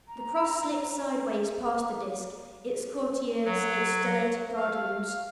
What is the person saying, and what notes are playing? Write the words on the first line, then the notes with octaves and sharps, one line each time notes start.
The Cross slipped sidewise past the Disk, its courtiers, its stellated guardians.
A#5
F#3
F5